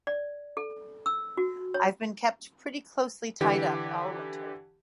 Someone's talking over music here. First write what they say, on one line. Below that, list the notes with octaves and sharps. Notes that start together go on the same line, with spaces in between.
I've been kept pretty closely tied up all winter.
D5
A4
E6
F#4
C#5
D3 E3 G4